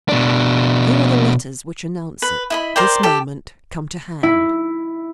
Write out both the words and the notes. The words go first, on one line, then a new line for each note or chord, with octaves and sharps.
Here are the letters which announce it, this moment come to hand.
B2 D4
B4
E4 D#5 B5
A#4 C5 D5 G5
G4 A4
E4